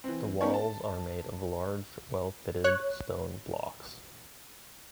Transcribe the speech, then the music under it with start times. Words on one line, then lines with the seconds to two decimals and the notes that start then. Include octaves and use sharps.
The walls are made of large, well-fitted stone blocks.
0.04 E3 C4
0.41 B3 C#4 D#4 A#4 C#5
0.54 A5
2.64 C#5 F#6